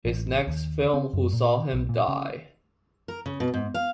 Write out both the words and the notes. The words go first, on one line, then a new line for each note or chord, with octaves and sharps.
His next film Who Saw Him Die?
A1
D#2
C4
F#2
A#2
B1
A#2
C#3
A#4
C#3
B2
G#2
F5